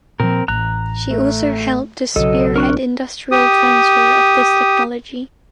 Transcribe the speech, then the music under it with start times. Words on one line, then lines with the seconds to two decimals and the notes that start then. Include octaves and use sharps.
She also helped to spearhead industrial transfer of this technology.
0.20 A#2 F3 C4 A#4
0.48 A1 A#5 F#6
1.10 A3
2.16 B1 C#3 F#3 A4 D#5
2.56 C4 D4 A#4 C#6 F#6
3.31 G4 D#6